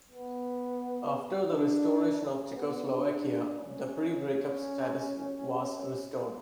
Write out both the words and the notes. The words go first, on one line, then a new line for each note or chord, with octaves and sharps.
After the restoration of Czechoslovakia, the pre-breakup status was restored.
B3
D4
C#4
B3
D4
C#4
C#4